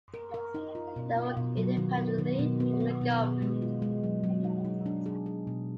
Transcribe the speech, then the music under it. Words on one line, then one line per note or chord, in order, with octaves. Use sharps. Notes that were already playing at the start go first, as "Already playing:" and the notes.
They work independently from the government.
A#4
A#4
D#4
F4
B2
F4
B2
F#3
D#3
B3
D#3
B2
B3
B3
B2
B2
G#3
F4
G#3
F#3
F#3
D#4
D#4
D4
G#4
G#4
B2